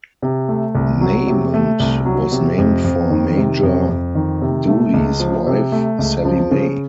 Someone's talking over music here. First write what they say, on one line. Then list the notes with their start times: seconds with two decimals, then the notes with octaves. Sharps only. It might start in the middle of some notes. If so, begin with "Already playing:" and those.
Maymont was named for Major Dooley's wife, Sallie May.
0.22 C3
0.49 A3
0.75 C2
1.01 F#3
1.27 C3
1.54 A3
1.80 C2
2.05 F#3
2.32 C3
2.58 F2
2.84 F2
3.10 D#3
3.37 C3
3.63 F2
3.89 F2
4.15 D#3
4.41 C3
4.67 A3
4.94 C#2
5.20 F3
5.46 C3
5.72 A3
5.99 C#2
6.25 F3
6.51 C#3